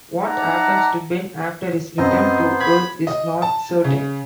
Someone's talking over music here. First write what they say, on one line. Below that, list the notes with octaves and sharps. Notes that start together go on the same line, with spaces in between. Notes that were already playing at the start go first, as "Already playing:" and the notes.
What happens to Ben after his return to Earth is not certain.
D#4 D5 E5 F#5 A5 A#5
F#2 B3 C4 C5 D#5
B5 G#6
D#5
A5
C#3